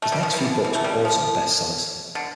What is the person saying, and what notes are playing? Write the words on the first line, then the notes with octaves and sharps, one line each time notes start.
His next few books were also bestsellers.
A3
G3
F3
E3
D3
E3
A3
G3
F3
D3